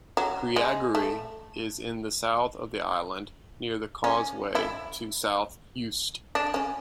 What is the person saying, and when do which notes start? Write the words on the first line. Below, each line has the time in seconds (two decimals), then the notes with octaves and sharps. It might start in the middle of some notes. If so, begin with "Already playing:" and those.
Creagorry is in the south of the island, near the causeway to South Uist.
0.17 F#3
0.56 G#3
0.95 A3
4.04 C#4
4.55 E4
6.35 D4
6.54 C#4